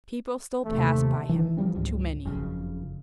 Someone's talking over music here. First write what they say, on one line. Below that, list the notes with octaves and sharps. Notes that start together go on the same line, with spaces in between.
People still passed by him--too many.
D#2 C3 A3
E3
D#3 F3 G3 C4
C#2 G#2
F#1 F2 A2 C#3